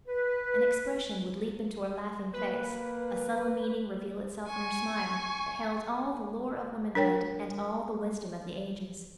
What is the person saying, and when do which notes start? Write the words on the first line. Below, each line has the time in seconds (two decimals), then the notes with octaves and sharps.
An expression would leap into her laughing face, a subtle meaning reveal itself in her smile, that held all the lore of womanhood and all the wisdom of the ages.
0.07 B4
2.33 A#3 B4
4.47 G#5 C#6
6.95 D4 A#4 C#5 G5